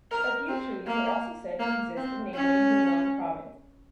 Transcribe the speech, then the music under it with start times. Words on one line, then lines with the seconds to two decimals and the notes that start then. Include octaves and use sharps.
A few trees are also said to exist in neighboring Hunan Province.
0.11 A#4
0.48 C4
0.86 A#3
1.59 A#3
1.97 C4
2.34 C#4